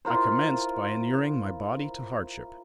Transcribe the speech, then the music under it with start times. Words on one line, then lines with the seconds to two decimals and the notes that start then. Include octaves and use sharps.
I commenced by inuring my body to hardship.
0.05 E4 F4 A#4 C5